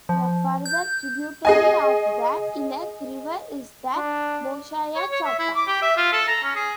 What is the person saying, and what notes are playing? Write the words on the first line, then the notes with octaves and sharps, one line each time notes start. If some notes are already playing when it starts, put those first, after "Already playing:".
A further tributary of the Ilek River is the Bolshaya Chobda.
F3
G6
G#4 D#5 G#5
D4
C#5
C#5
E5
E4
D6
G4
E5
F4
A4
A#5
C#4
G#4